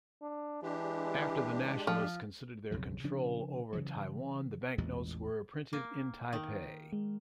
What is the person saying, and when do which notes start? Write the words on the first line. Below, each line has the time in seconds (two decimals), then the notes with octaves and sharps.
After the Nationalists consolidated their control over Taiwan the banknotes were printed in Taipei.
0.22 D4
0.63 E3 G#3 D4 G4
1.87 F3
2.71 B1 F2 C#3 F#3
3.04 C#3 F3 D4
3.73 C#3 E3 F#3
4.78 A1 E2 A#2 G#3
5.73 A#3
6.33 D#3
6.93 G#3